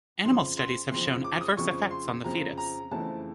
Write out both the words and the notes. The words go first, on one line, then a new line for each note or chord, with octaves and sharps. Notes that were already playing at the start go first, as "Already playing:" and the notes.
Animal studies have shown adverse effects on the fetus.
F2 C#3 F3 C6
C6
F2 C#3 F3 C6
D6
D#6
F2 C#3 F3 C#6
C6
F2 C#3 F3 A#5
A#5
F2 C#3 E3 A3 C4 A5